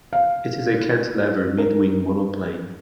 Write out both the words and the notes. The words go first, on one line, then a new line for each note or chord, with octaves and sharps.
It is a cantilever mid-wing monoplane.
F5
A#4